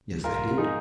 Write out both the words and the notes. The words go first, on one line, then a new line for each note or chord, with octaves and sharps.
"Yes, I did."
G#2 F4 A#4
G#2
F3 D#4 G#4